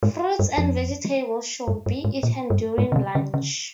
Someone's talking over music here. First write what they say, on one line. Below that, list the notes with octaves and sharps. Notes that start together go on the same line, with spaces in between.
Fruits and vegetables should be eaten during lunch.
G#2
G2
F2
G2
G2
G#2
A#2
G2
G#2
C#3
C3
C#3
C#3